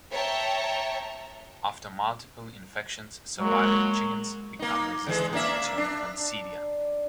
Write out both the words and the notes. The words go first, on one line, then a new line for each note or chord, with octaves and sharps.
After multiple infections, surviving chickens become resistant to the coccidia.
C#5 E5 G5 A5 A#5
F#3 G#3 A#3
A#3 D#4
D3 E3 G#3
A#3 D4 E5
D4